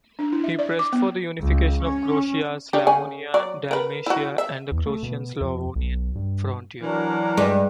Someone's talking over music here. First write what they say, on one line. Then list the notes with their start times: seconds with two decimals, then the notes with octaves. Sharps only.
He pressed for the unification of Croatia, Slavonia, Dalmatia, and the Croatian-Slavonian Frontier.
0.19 D4
0.32 E4
0.44 E5
0.59 D5
0.79 D6
0.93 B3
1.40 C#2
1.83 C#4
2.73 D4 G4 C#5
2.87 C#3 G#5
3.34 F#3 D5
3.71 A#4 B4
4.06 E4 F#4
4.38 E5
4.72 E2
4.86 A3
5.03 B2
5.41 F2
5.76 B1
6.15 G2
6.82 E3 F#3 D4 A#4
7.37 G2 G#3